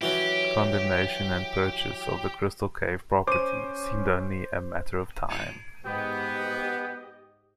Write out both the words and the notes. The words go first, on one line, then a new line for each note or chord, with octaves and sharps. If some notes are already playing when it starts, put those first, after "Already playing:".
Condemnation and purchase of the Crystal Cave property seemed only a matter of time.
E3 F#3 C#4 G4
C#4 C5 D6 D#7
G#2 B3 G4 D#5 G5